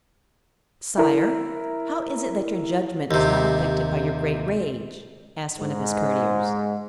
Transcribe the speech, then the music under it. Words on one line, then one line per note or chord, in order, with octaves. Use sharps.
"Sire, how is it that your judgment is not affected by your great rage?" asked one of his courtiers.
E4 A#4
D#2 C3
G#2